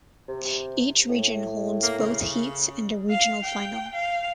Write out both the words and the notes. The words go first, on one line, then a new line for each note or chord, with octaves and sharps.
Each region holds both heats and a regional final.
C3
A2
A#3
C#3
F5
G5
F5